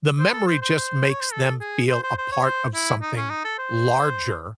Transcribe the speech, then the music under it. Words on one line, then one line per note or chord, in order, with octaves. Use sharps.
the memory just makes them feel a part of something larger
C5
A4
C5
C5
C5
C#5
C5
A4
G#4
C5
C5
C5
C#5
C5
E4
D#4
C#4
D#4
A4
C5